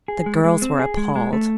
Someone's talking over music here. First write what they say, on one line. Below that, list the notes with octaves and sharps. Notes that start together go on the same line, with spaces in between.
The girls were appalled.
G#4
G#3
G#3
C4
G#4
G#3
G#3
A3